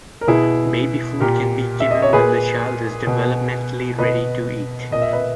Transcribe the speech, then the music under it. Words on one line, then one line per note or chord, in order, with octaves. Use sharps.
Baby food can be given when the child is developmentally ready to eat.
A#4
B2 E4 G#4
A#2 G4 A#4
E5
D#5
C#5
A#2 G#4 B4
B2
B2 B4 D#5
A#2 D#5
E5
B4 D#5